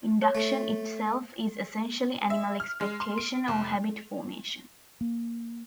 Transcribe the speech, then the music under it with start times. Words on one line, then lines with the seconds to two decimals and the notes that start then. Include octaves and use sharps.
Induction itself is essentially animal expectation or habit formation.
0.22 C#5
0.35 A3
2.30 E5
2.60 F6
2.81 G#3
3.00 C6
3.18 D7
3.48 F1
5.01 A#3